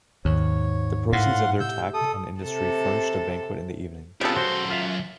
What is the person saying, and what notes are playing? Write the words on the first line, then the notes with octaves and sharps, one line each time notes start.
The proceeds of their tact and industry furnished a banquet in the evening.
D#2 G#2 C#5
A2 F5 F#5 C6
C3 E6 G6
A4 D#6
C3 A4
C#3 B3 C4 E4 F4 G4 A4
F#2 F#4 C5 C6
F4 E5 F5